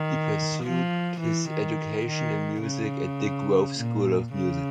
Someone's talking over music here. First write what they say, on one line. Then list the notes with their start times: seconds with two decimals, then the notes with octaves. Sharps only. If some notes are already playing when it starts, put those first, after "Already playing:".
He pursued his education in music at Dick Grove School Of Music.
Already playing: D#3
0.63 F3
1.20 E3
1.48 D#3
2.06 D#3
2.62 C#3
3.76 A#2
4.33 C#3